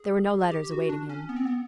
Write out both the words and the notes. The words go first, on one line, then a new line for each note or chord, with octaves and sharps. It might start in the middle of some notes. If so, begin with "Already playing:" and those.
There were no letters awaiting him.
Already playing: G#4
G4
F#4
D4
C#4
B3
C4
B3